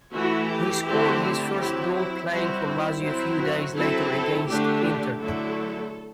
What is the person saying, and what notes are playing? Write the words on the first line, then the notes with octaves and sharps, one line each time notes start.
He scored his first goal playing for Lazio a few days later against Inter.
E3 A3 E4 F#4
G4
D3 A3 C4 E4
G4
F#3 C4 E4
E4
G3 C4 E4 F#4
E4
F#3 C4 E4
F#4
F#3 C4 E4 A4
A4
D3 A3 D4 G4
G4
D3 F#3 A3 E4 A4